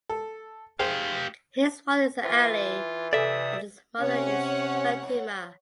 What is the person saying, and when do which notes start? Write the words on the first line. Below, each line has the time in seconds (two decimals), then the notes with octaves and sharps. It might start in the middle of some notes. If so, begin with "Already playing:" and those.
His father is Ali and his mother is Fatima.
0.09 A4
0.79 G4 G#4 C5 F5 G5
2.24 E3 F4 C5 G5 E6
3.13 C3 A4 D5 E5 F5 G#5 D#6
4.00 C3 C#4 C#5 F#5